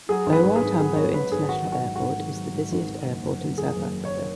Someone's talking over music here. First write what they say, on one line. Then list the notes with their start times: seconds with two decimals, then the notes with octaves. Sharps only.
O. R. Tambo International Airport is the busiest airport in South Africa.
0.09 F#3 G#4
0.26 G#1
0.33 B4
0.44 G#2
0.56 G#4
0.62 G#1
0.79 F#3 G#4
0.96 G#1 C#5
1.14 G#2 B4
1.31 G#1 G#4
1.48 D#3 F#4
1.66 F#3
1.72 F#4
1.84 G#2
1.96 F#4
2.02 G#1
2.18 D#3
2.36 F#3
2.54 G#2
2.72 G#1
2.89 D#3
3.06 F#1
3.23 F#2
3.41 F#1
3.58 D#3 G#4
3.76 F#1
3.93 F#2
4.05 C#5